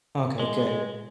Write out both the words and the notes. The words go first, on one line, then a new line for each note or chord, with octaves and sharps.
Okay, good.
G#3